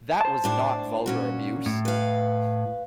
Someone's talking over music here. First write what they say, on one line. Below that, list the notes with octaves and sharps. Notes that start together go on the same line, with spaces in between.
That was not vulgar abuse.
C5 A5
A2 D4 D5
A#2 C#4 F#4
A2
B4 F5